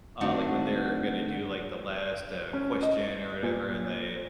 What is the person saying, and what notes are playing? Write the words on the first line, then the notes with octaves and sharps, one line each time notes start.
Uh, like, when they're gonna do, like, the last, uh, question or whatever, and they,
D3 A3 C4 D4 D#4 F#4
C#4
D#5
A#2